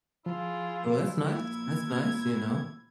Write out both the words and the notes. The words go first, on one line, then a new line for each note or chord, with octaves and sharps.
Well, that's nice that's nice, you know,
F3 E4 F4 G#4
A#2 G#6